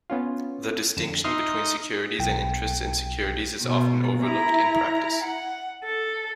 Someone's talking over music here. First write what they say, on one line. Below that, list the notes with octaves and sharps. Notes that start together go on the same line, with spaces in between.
The distinction between securities and interests in securities is often overlooked in practice.
B3 C#4 F4
F2 D3 E7
D#4 E5 C6 F6
B1 G5
B2
E4 A#5
F#5
A4